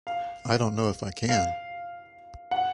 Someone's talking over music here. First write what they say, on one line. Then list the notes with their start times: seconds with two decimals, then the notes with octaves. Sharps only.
I don't know if I can.
0.07 F5
1.29 F5
2.51 F#5